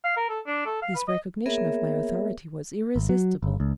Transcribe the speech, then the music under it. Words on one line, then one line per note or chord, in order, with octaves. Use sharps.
This recognition of my authority was irresistible.
F5
A#4
A4
D4
A4
F5
B4
D#5
A#3 B3 G#4 A#4 C#5 E5
G#1
F#3
G1
C#2